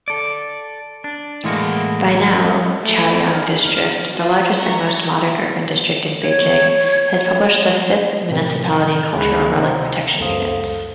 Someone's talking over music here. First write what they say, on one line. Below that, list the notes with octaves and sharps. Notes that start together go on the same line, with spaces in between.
By now, Chaoyang District, the largest and the most modern urban district in Beijing, has published the fifth Municipality Cultural Relic Protection Units.
A4 D5
D4
A2 E3 G#3 A#3 F#4
A3
D#4 F6
F4 F#4
A#5 C#6
C#5 G#6
A2 C3 E3 C4 A#4 G5
D2 C#3 G#3 G#4 B5 F#6
C3 C5 G5 A#5
C#2 F#2 A4 C5 F5 D#6